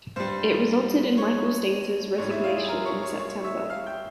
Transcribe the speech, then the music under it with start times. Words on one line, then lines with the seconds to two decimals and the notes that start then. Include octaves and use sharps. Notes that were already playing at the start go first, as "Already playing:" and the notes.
It resulted in Michael Staines' resignation in September.
0.16 G2 G3 C5
1.18 C#5
2.18 G#2 G3 C#5
2.31 E4 E5
2.44 F4 F5
2.57 G#4 G#5
2.69 A#4 A#5
2.85 C#5 C#6
3.02 C#5 C#6
3.19 C#5 C#6
3.44 E5 E6
3.70 F5 F6
3.86 G5 G6